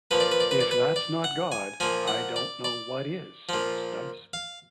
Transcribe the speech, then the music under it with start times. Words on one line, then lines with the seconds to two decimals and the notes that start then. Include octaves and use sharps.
If that's not God, I don't know what is, said Stubbs.
0.11 A#2 F3 B4
0.20 D5
0.31 B4
0.40 D5
0.51 B4
0.60 D5
0.71 B4
0.96 D5
1.24 F#5
1.52 G#5
1.80 A#2 F3 G#5
2.08 F#5
2.36 D5
2.64 D5
3.49 A#2 F3
4.33 F5